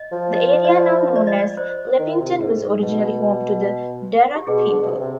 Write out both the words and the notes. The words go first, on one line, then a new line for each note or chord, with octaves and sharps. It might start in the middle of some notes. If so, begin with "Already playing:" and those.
The area now known as Leppington was originally home to the Darug people.
Already playing: D#5
F3
D#5
D5
D#5
D5
D#5
D5
C5
D#3
C3
G#2
G#2
B2
G4
B2 G#4
D3
B2
C3
C3